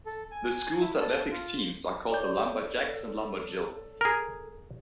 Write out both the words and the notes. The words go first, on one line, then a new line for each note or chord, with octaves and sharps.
The schools athletic teams are called the LumberJacks and LumberJills.
A4
G#5
E4
A4
F4
A4 C#5 D5 G6
G#4 A#4